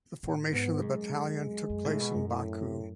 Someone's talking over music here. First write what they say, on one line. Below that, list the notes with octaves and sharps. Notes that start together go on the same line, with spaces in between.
The formation of the battalion took place in Baku.
A2
G#2 B3
F#2 G#3
F#2
A2
B2
F#2
A2